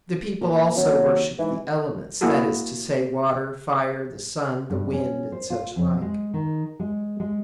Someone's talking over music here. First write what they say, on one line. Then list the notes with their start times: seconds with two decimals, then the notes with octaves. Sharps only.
The people also worshipped the elements--that is to say, water, fire, the sun, the wind, and such like.
0.41 A#2
0.77 D#1 F#3
1.39 G#2 E3
2.21 A#3 E4 F#4 G#4 A4
4.70 G2
4.93 C#4
5.32 C5
5.50 F4
5.76 F2
6.02 G#3
6.34 D#3
6.80 G#3
7.20 G#3